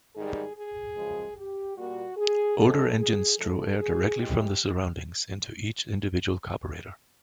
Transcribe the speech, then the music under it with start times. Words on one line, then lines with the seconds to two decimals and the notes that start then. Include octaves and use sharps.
Older engines drew air directly from the surroundings into each individual carburetor.
0.15 G#2 D#3 G3 G#4
0.55 G#4
0.95 F#2 C#3 F3 G#3
1.36 G4
1.76 A#2 G3 F#4
2.17 G#4
2.56 F#2 D3 F3 G#3 A4
2.97 G#4
3.37 A2 F3 G#3 A4
3.78 G#4
4.18 A2 E3 G#3 G4